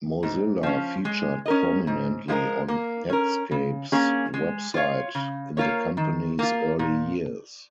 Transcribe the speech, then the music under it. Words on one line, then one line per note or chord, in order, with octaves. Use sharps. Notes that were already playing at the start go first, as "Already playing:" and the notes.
Mozilla featured prominently on Netscape's web site in the company's early years.
G#2
F3 C#4
G#3
C#4 A#4 D#5
G#2
F3 G#3 F4 A#4
A#3
C#4 A#4
C#3
A#3 C#4 G#4
G#3
F4 C#5 F5
C#3
A#3 F4 A#4 C#5
D#3
A#3 F4
A#2